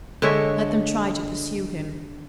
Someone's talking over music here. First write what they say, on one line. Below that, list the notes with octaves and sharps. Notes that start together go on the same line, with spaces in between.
Let them try to pursue him!
D3 G#3 C#5 E5